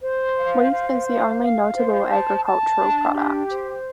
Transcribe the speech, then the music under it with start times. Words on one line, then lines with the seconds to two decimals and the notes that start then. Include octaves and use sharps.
Wheat is the only notable agricultural product.
0.01 C5
0.36 F5
0.72 C5
1.06 F5
1.40 F5
1.75 C5
2.09 A5
2.45 A5
2.79 D4
3.14 G4
3.49 C5